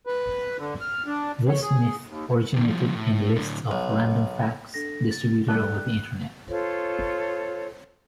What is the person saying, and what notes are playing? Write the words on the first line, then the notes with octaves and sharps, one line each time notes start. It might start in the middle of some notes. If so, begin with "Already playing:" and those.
This myth originated in lists of "Random Facts" distributed over the Internet.
B4
D3
F6
D4
C#5
G#4
D#2
C3 D#3
F3 G3
A2
A2 D3
B1
D4 A4 A#6
A6
G3 A3 A4 F#6
F4 A4 C5 C#5